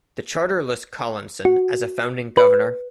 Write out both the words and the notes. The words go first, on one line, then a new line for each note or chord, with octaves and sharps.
The charter lists Collinson as a founding governor.
F#4
B4